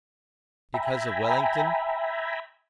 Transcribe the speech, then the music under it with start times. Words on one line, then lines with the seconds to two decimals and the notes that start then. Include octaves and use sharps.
Because of Wellington?
0.74 E5 G5 G#5 A#5 B5